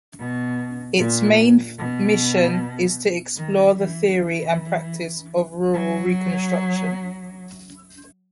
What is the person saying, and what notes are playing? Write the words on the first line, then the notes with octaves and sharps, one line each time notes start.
Its main mission is to explore the theory and practice of rural reconstruction.
B2
A#2
B2
D#3
E3
E3
F#3